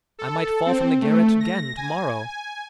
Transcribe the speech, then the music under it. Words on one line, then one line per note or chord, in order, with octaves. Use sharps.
I might fall from the garret again to-morrow.
A4
C4
A3
A#6
G#5
G#5